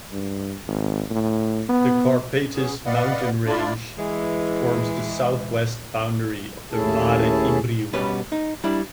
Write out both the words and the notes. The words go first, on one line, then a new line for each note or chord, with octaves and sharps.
The Carpatus mountain range forms the southwest boundary of the Mare Imbrium.
G2
G#1
A2
B3
B3 C#4 G#4
B4 D5 D#5 F5 F#5
D4 E4 F4 D5
E3 G#3
D#2 A3 C#4 E4 G#4 A5
B2 G3 B3 C#4 B4
D#4
G3 D4 E4